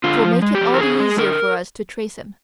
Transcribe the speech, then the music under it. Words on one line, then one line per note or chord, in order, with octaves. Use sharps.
It will make it all the easier for us to trace him.
D3 F4
F3
G#3
G4
F3
A#4
D3 G#4
G#3
D3 A#4